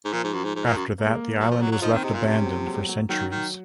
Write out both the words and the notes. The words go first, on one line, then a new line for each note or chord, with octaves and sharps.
After that, the island was left abandoned for centuries.
G#2
A#2 F3
G#2
F#2
G#2
G#2
A#2
F#2
A#3
G#3
A#3
F#3
F3
F#3
F#3
F4
F3 D#4
D#3 C4
C3 D#4
A#2 F4
C#4
C3 D#4
C#4
F#3
F3
F#3
G#3
F#3
F#3
D#3 F#3
D#3